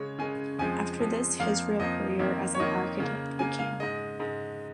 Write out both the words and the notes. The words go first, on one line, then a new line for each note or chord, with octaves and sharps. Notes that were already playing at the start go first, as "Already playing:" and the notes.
After this his real career as an architect began.
Already playing: C#3 G#3 C#5
C#3 G#3 G#5
F2 F3 G#3 G#5
F2 F3 G#3
F2 F3 A#3 F5
F2 F3 A#3 D#5
F2 D#3 A#3
C#5
F2 D#3 A#3 D#5
C#3 A#3
C#3 A#3 G#5
F5
G#2 G#3 D#5
G#2 G#3